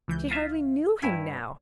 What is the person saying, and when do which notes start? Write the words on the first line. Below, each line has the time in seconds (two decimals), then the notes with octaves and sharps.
She hardly knew him now!
0.08 C#2 E3 G6
0.31 F4 E5
1.02 G2 E4 G#5